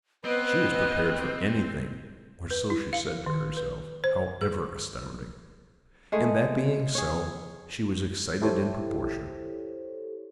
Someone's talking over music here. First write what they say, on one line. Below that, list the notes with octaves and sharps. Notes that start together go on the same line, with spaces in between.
She was prepared for anything, or so she said to herself, however astounding; and, that being so, she was excited in proportion.
B3 C4 B4 D#5
B4
E4
F5
D#3
B4
C5
G#4
G#3 A3 G#4
G#4 C#5
E4 G4 A4 C5 C#5